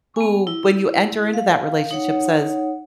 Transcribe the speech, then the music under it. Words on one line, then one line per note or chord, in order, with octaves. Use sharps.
who, when you enter into that relationship says
B3 G#5
E4
F5
D#4 C#5 F#5